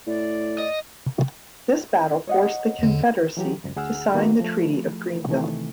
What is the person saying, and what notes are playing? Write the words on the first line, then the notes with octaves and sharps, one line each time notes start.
This battle forced the confederacy to sign the Treaty of Greenville.
A2 D5
D#5
C#5 D#5 F#5
E2 D3
E3 F#3 G4
C#2 F#2
D2 G#4 F#5 E6 F6
D#3 A#3 B3 F#4
F3 A3
C3 D#3 E3 A3